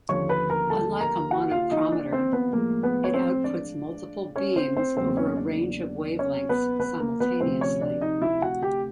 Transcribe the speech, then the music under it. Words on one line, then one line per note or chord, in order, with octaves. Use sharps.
Unlike a monochromator, it outputs multiple beams over a range of wavelengths simultaneously.
D#2 D3 F3 A#3 C#4 C#5 C#6
B4 B5
A#4 A#5
A4 A5
A#4 A#5
F#4 F#5
F4 F5
D#4 D#5
D4 D5
C4 C5
B3 B4
A2 F3 G#3 A#3 A#4
B3 B4
C#5
C4 C5
D4 D5
C#4 C#5
C4 C5
C4 C5
E2 C#3 F#3 A#3 C4 C5
C#4 C#5
D4 D5
C#4 C#5
B3 B4
B3 B4
A#3 A#4
B3 B4
D2 C3 F3 C4 C5
C#4 C#5
D4 D5
D#4 D#5
E4 E5
F#4 F#5
G4 G5